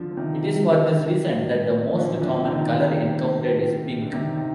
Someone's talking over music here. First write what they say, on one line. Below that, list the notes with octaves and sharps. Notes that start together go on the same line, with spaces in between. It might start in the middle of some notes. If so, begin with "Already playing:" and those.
It is for this reason that the most common color encountered is pink.
Already playing: D3 F3
F3
C3 D#3
A#2 D3
D3 F3
C3 D#3
D3
C3 D#3
D#3